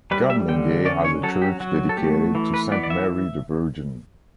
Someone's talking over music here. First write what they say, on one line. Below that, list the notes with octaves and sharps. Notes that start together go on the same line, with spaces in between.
Gamlingay has a church dedicated to Saint Mary the Virgin.
G3 B4
E5
D3 G5
C#4 D5
C#5
F#3 A4
G4
F#3 F#4
A4
A3 G4
E3
B4
B3 D5
D5
E5